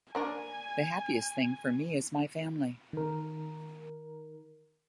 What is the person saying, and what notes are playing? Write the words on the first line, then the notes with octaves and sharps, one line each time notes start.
The happiest thing for me is my family.
A#3 D4 A#4 G#5
D#3 A#4